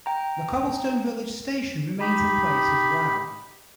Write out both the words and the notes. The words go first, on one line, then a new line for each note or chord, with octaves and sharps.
The Cobblestone Village station remains in place as well.
G5 A#5
D#4 G4 B5